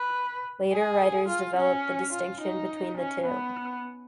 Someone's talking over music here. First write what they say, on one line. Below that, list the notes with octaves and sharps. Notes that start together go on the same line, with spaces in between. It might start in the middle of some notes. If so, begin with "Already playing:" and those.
Later writers developed the distinction between the two.
Already playing: B4
G#4
F4
C#4
F4
D#4
C#4
B3